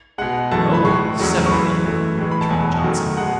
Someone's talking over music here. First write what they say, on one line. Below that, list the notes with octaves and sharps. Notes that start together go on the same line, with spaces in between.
"Well, seven then," returned Johnson.
B2 G#3 F#5
F#2 E3 A3 A5
B5
A2 G#3 C#6
E2 C#3 F#3 A3
C#6
F#2 E3 G#3 B5
F#2 E3 A3
A2 E3 G#3
B5
A5
E2 B2 F#3 G#5
F#2 D#3 F#3 A3
B2 G#3 F#5